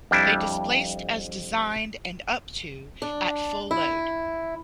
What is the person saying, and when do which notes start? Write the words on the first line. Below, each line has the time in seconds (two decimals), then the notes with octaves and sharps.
They displaced as designed and up to at full load.
0.11 F2 G3 D4 E4
3.02 D4
3.71 E4